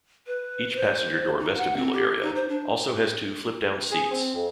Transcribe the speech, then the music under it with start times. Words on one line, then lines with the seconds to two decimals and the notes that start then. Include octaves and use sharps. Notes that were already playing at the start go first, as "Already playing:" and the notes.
Each passenger door vestibule area also has two flip-down seats.
0.27 B4
0.76 C5
1.39 D#4
1.57 F#5
1.77 C4
1.93 G4
2.22 D#4
2.36 C5
2.49 D4
3.91 G#4
4.11 C4
4.35 F2